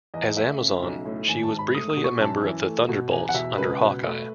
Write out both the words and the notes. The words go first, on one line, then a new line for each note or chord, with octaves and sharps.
As Amazon, she was briefly a member of the Thunderbolts under Hawkeye.
E2 D#5
A3 E5
C#3
B1
A2
G#1 G#5
A5
G#2
B5
A3 D#6
D#6
B2
C#6
F#2 A5
E3
A3
B2
E2 G#5
F#5
B2 E5
C#2 B4
B2
A3